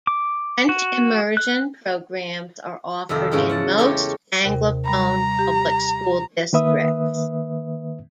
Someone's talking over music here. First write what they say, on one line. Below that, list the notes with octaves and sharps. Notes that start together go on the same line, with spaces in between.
French immersion programs are offered in most Anglophone public school districts.
D6
F#4
F#6
F2 C3 D#3 E5
E2 G#2 C#3 E3 C#4 B4
F#5 A5
G#3 A3 C#4 G4 B4 C#5
D#2 C3 A#4
G3 A#5 B5
G4
D#3 A#3 B4 E5 D#6